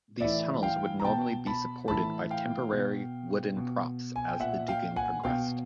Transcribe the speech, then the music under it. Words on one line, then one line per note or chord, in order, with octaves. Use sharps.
These tunnels would normally be supported by temporary wooden props as the digging progressed.
A2 E3 D5 E5
F5 G5
A#5
B2 G5 A5
A5 B5
A2 E3 A5 B5
F5 G5
B2
B2
G#5
G5
A#2 E5 F#5
F5 G5
F#5 G#5
B2 F5 G5